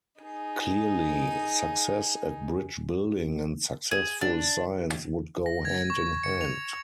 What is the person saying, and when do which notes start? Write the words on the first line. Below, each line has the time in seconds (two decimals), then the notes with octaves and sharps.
Clearly, success at bridge building and successful science would go hand in hand.
0.20 D#4 G#4
3.91 G#4
4.21 D4
5.46 A#6
5.65 G#6
5.90 C#6
6.23 C#7
6.41 F7